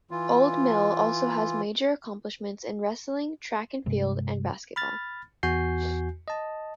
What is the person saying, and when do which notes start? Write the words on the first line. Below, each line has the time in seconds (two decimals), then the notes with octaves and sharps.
Old Mill also has major accomplishments in wrestling, track and field and basketball.
0.11 E3 F4
3.86 G2 C3 G#3
4.76 B5 F6 A6
5.43 E2 F#4 G#5 G6 C7
6.28 D#5 A5